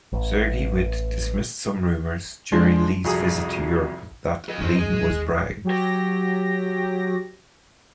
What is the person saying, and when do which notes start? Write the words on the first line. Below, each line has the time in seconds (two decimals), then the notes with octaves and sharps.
Sergei Witte dismissed some rumours during Li's visit to Europe that Li was bribed.
0.12 A1
2.52 F3 G#3 D4 C6
3.04 C2 F2 F#4 G#4 A#5 D#6
4.49 A4 D#5
4.61 F#2 C#4 C5
4.76 G#4 D#5
4.89 A2 F#3
5.10 D#2
5.64 F#3 G4 A#6